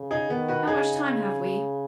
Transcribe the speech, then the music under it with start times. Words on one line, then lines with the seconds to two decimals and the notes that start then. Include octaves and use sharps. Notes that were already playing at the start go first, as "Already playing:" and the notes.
"How much time have we?"
Already playing: C#3
0.11 D#4 G#4
0.30 D#3 B3
0.48 F#4 B4
0.67 C#3 D#4 G#4